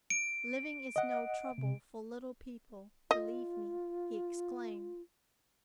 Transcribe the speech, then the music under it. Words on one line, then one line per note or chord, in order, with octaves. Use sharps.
"Living is no trouble for little people, believe me!" he exclaimed.
D7
D#5 F#5
C3
F4 D#5